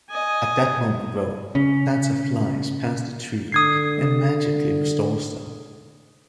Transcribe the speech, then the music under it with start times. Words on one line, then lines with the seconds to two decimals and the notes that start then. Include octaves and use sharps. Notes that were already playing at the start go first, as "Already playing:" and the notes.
At that moment though, Santa flies past the tree and magically restores them.
0.10 D#5 G#5
1.55 C#3 C#4
3.52 D3 D#6 G#6 C7